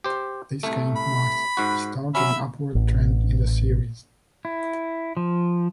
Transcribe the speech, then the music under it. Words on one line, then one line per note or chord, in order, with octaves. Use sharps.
This game marks the start of an upward trend in the series.
G4 C5
C2 A3
B5
G#2 F#4
F#3 C#4 E5 B5
A1
E4
F3